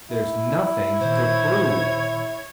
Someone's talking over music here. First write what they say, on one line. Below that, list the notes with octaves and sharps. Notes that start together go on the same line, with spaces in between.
There's nothing to prove.
E4
A#2 D#3 C5 C#5 G#6